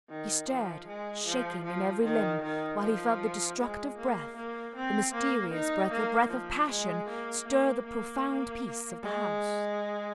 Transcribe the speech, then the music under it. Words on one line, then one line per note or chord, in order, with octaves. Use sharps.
He stared, shaking in every limb, while he felt the destructive breath, the mysterious breath, the breath of passion, stir the profound peace of the house.
D#3
F3
G#3
F3
F3
D#3
D#3
F3
G#3
A#3
A#3
C4
A#3
D#4
A#3
F3
G#3
A#3
A#3
A#3
G#3